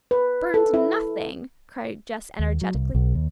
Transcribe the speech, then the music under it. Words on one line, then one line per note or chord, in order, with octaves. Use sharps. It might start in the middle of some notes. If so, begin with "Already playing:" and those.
"Burned, nothing!" cried Jess energetically.
B4
A4
E4
D#2
F#3
C2
B1
D#2